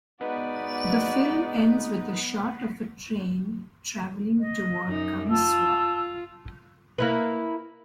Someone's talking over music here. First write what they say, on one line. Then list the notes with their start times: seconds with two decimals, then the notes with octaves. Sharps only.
The film ends with a shot of a train traveling toward Kamisuwa.
0.21 G#3 B3 D#4 F#4 B4 D5
4.40 D#5
4.88 F#2 D#4
5.30 F4 A5 E6
6.98 A#3 E4 B4